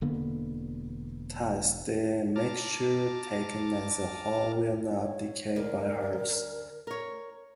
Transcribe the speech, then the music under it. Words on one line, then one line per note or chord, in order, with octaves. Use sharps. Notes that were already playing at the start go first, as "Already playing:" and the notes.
Thus, the mixture taken as a whole will not decay by halves.
E1 D3 A#3 B3
A5 A#5 D6 F6
C#5
D2 A#4 D5
A#4 C#5